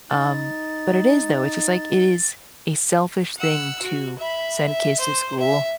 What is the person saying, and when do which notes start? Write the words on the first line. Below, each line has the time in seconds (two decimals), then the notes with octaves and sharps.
um but it is, though, it's just, like, it is a selfish thing to send kids to school,
0.11 D#4 A6
3.37 F#5 E6
3.82 F#4
4.18 E5 B5
4.66 E5
4.99 C5
5.39 E5